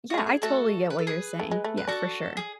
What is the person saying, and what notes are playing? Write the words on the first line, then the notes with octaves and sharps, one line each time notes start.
Yeah, I totally get what you're saying. Yeah, for sure.
G#3 F#4
A3
G#4
A3 F#4 A4
B4
A4
G#4 B4
A3
G#3
A3
B4
D4 F#4 A4
G#4